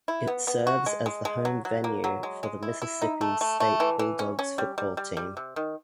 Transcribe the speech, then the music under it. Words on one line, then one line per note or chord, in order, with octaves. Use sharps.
It serves as the home venue for the Mississippi State Bulldogs football team.
E4
B3
B3
F#4
G#3
G#3
G#3
F#3
F#3
A#3
F#3
G#3
G#3
E4
E4
D#4
A3
A3
A3
E3
E3
C#4
C#4
G3
G3
G3
G3
C3
D#3